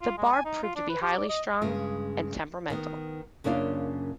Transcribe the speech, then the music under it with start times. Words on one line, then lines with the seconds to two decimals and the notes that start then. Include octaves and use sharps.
The Barb proved to be highly strung and temperamental.
0.01 F4
0.17 G#3
0.33 G#5
0.45 D#4
0.63 F4
0.76 D4
0.89 B4
1.02 G4
1.17 D5
1.29 D#5
1.62 G2 C#3 G#3
2.70 D#3 B3
3.44 F#2 C#3 A#3 D4 E4 F4